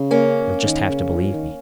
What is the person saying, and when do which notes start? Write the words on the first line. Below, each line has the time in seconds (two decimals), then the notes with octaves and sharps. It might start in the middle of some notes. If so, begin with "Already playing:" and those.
You'll just have to believe me.
Already playing: C#3
0.11 A#3 C#4
0.64 D#3
0.90 C#3
1.15 F3
1.33 D#3